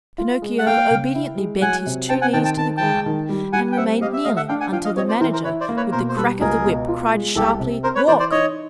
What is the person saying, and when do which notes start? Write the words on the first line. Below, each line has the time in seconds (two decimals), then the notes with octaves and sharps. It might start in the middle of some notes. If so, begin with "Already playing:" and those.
Pinocchio obediently bent his two knees to the ground and remained kneeling until the Manager, with the crack of the whip, cried sharply: "Walk!"
0.18 F4
0.42 G#3
0.59 F#5
0.66 A#3 F5 G5
0.90 C#3
1.15 E4
1.37 G#3
1.61 F#3 F#5 G#5
1.86 C3
2.09 C4 G5 A5
2.21 F#5 G#5
2.33 D#3 G5 A5
2.45 G5 A5
2.57 D#3 A5
2.77 G#3 G5 A5
3.06 D#3
3.29 G3
3.53 G3 F#5 G#5
3.72 G5
3.77 C4 E5 F#5
4.01 G4 D#5 F5
4.13 E5
4.24 A3 D#5 F5
4.36 E5 F#5
4.49 D4 F5 G5
4.60 F#5 G#5
4.72 F3 F5 G5
4.85 D#5 F5
4.96 C4 C#5 D#5
5.09 C5 D5
5.20 E3 A#4 C5
5.33 A#4 C5
5.44 E4 B4 C#5
5.61 C5 D5
5.69 A#3
5.77 B4 C#5
5.92 B2 A#4 C5
6.09 C5
6.16 G3 A4 B4
6.41 C#2 G#4 A#4
6.65 B2
6.88 F4
7.13 G#3
7.36 C2 G4 A4
7.60 C3
7.83 C4 A#4 C5
7.95 B4 C#5
8.07 E3 C5 D5
8.19 C5 D5
8.31 D#4 C#5 D#5